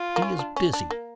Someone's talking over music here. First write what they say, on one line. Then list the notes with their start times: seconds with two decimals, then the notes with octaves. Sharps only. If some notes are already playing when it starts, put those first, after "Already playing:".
"He is busy."
Already playing: F4
0.16 A#3
0.22 C#4
0.39 D4
0.56 C#4
0.73 D4
0.91 A#3